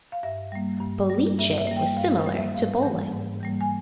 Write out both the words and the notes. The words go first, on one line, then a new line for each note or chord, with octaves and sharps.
"Boliche" was similar to bowling.
F5
G2 E5
G3 A#3
G2
G3
A#3
G2 E5
E5
G3 A#3
G5
G2 F5
C5
G3 A#3
E5
G#2 F5
E3 G3 A#3
G#2
E3 G3 A#3
G#5